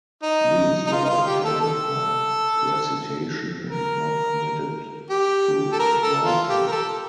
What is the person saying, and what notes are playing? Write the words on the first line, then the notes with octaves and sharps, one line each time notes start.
These were intended for recitation, and not committed to writing.
D#4
D#4
F4
D#4
F4
G4
A4
A4
A#4
G4
A4
A#4
A4
F4
G4
A#4
A4